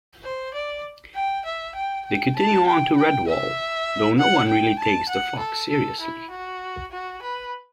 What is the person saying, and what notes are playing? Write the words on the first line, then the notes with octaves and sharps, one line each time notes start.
They continue on to Redwall, though no one really takes the fox seriously.
C5
D5
G5
E5
G5
G5
A5
G5
G5
E5
F#5
G5
A5
F#5
A4
A4
E4
F#4
F#4
B4